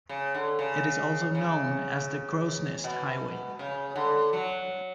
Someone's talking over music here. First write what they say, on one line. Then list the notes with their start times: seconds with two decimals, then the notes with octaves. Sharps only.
It is also known as the Crowsnest Highway.
0.09 C#3
0.34 D3
0.59 C#3
1.35 C#3
2.84 B2
3.59 C#3
3.96 D3
4.33 F#3